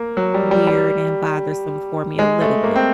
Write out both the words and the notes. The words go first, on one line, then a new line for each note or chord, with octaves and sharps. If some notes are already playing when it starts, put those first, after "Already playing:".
weird and bothersome for me a little bit.
Already playing: A#3
F#3
G3
G3
G3
G#3
A3
A#3
C4